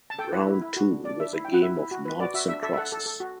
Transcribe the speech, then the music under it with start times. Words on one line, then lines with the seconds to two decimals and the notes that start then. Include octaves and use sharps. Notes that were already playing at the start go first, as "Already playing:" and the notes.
Round two was a game of noughts and crosses.
0.10 A5
0.19 A4 G5
0.33 E4 F#5
0.47 E4
0.62 E4
0.77 F#4
0.91 D4
1.04 D4 D5
1.19 D4 E5
1.33 E4
1.45 G5
1.49 E4
1.54 F#5
1.62 E4 E5
1.77 E4
1.91 F#4
2.05 B4
2.19 F#4 D5
2.34 F#4 E5
2.48 D4 E5
2.63 A4 E5
2.73 E5
2.77 A4 F#5
2.92 A4
3.06 A4
3.20 F#4